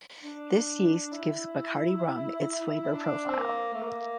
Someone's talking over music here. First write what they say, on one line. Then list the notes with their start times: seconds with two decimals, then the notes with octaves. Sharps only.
This yeast gives Bacardi rum its flavour profile.
0.21 D4
1.12 E4
2.92 D4
3.27 C4
3.37 A#3
3.73 A3
3.82 A#3